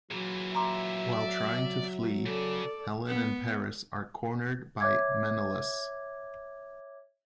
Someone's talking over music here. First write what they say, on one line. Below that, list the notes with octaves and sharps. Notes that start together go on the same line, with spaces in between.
While trying to flee, Helen and Paris are cornered by Menelaus.
A#2 E3 F#3 G#4
E5 A#5 C6 D6
D5
C#3 A4 D5
B3
C#5 E5 D6 G#6